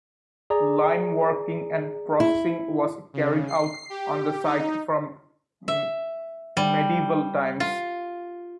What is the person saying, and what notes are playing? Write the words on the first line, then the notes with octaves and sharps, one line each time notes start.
Lime working and processing was carried out on the site from medieval times.
G#4 D5 A#5
E4
C#3
C7
G4
D#4
E5
G3
F4